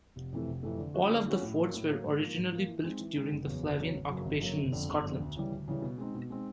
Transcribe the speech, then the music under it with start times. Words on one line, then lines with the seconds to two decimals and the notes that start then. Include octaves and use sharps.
All of the forts were originally built during the Flavian occupation in Scotland.
0.16 F1
0.32 F2 C3 E3 A3
0.48 F1
0.63 F2 C3 E3 A3
0.79 D3
0.94 F3 A3 C#4 F#4
1.10 D3
1.26 F3 A3 C#4 F#4
1.42 A2
1.58 F#3 A#3
1.74 A2
1.89 F#3 A#3
2.04 G#2
2.21 F3 A#3
2.36 G#2
2.52 F3 A#3
2.68 E3
2.84 G#3 C4 D#4
2.99 E3
3.16 G#3 C4 D#4
3.31 F#1
3.47 E2 C#3 F#3
3.63 F#1
3.78 E2 C#3 F#3
3.94 G#1
4.09 F#2 C#3 F#3 A#3
4.25 G#1
4.41 F#2 C#3 F#3 A#3
4.57 G1
4.72 F2 D3
4.88 G1
5.04 F2 D3
5.20 D2
5.36 C#3 E3 G3
5.52 D2
5.68 C#3 E3 G3
5.82 B2
5.98 G#3 C4 D#4
6.14 B2
6.30 G#3 C4 D#4